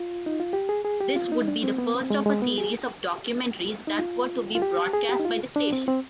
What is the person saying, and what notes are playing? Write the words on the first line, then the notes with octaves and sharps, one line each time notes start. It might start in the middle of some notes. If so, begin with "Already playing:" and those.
This would be the first of a series of documentaries that were to be broadcast by the station.
Already playing: F4
D#4
F4
G4
G#4
G#4
G4
F4
D#4
D4
C4
B3
C4
G#3
G#3
B3
G#4
D#4
F4
F4
G4
G#4
G4
D#4
F4
D4
C4
C4